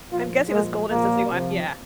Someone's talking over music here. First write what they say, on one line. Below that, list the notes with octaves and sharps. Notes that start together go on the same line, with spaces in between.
I'm guessing it was Golden since we went yeah.
A#2 F3 F4
A#2 F3 G#3
A#2 F3 A#3
C3 F3